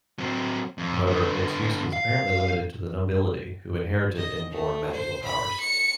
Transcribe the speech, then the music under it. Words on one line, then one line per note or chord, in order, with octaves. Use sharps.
However, its use was apparently limited to the nobility, who inherited inborn magical powers.
F#3 C4
F2
D3 B3
F5
D#5
A3
C5
B5
C#7